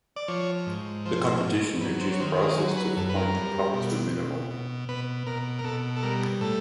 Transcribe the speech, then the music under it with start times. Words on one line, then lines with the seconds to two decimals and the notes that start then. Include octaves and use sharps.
The competition reduced prices to the point that profits were minimal.
0.16 D5
0.28 F3 C#5
0.67 G#2
1.06 F3 C5
1.43 G#2
1.81 F#3 B4
2.01 C5
2.12 C#5
2.20 D#3 C5
2.39 G#4
2.58 F#3 G#4
2.77 B4
2.97 F#2 A4
3.09 B4
3.16 A#4
3.35 G3
3.73 B2
4.12 B2
4.50 B2
4.89 B2 B4
5.27 B2 A#4
5.59 A#4
5.64 B2 A4
5.96 A4
6.03 G3 A#4
6.41 A2 A4